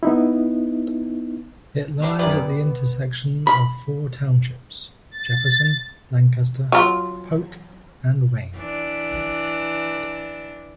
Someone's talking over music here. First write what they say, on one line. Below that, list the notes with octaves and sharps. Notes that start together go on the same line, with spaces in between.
It lies at the intersection of four townships: Jefferson, Lancaster, Polk and Wayne.
B3 D#4 E4
F#3 G3 D4
F#2 G4 B4 D5 E5
B3
B5
A6
F#3 F4
E3 D4